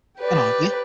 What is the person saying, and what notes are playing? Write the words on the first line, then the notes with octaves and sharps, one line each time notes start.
And aren't you?
G4 B4 D5